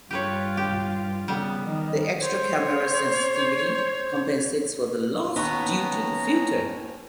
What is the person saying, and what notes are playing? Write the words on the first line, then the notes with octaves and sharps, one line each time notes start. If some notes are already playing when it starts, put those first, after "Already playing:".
The extra camera sensitivity compensates for the loss due to the filter.
G2 F4 G4 B4 C#5
G4
C#3 G3 B3
D#3
C5 C#5
D#2 B3 C#4 A#5 B5 C#6